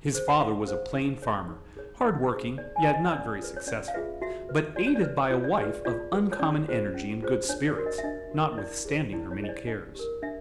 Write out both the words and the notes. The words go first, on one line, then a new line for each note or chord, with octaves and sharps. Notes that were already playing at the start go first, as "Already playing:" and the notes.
His father was a plain farmer, hard-working, yet not very successful, but aided by a wife of uncommon energy and good spirits, notwithstanding her many cares.
G#4 C5
F#5
D#4 F5
G#4 C5
D#4
G#4 C#5
D#4
G#4 C#5
D#4 D#5
G#4 C5
D#4 D5
G#5
G#4
C5 D#5
C#5
C#4 D5
F4 G#4 B4
C#5
C#4 D5
F5
F4 G#4 B4 E5
F#4 E5
B4
F#4 D5
C#5
D5
B4
F4 C#5
D5
G#4 B4 D5
F4 D5
G#4 B4
C#5
C#4 D5
F4 G#4 C5
C#4
F4 G#4 C5
D4 C#5
D5
F#4 A#4
D#5
E5
D4 D#5
F#4 A#4
D#5
E4 D5
G#4 C5
E4 D5
C#5
G#4 C5 D#5
D5
D4 D#5
G4 A#4
D4 E5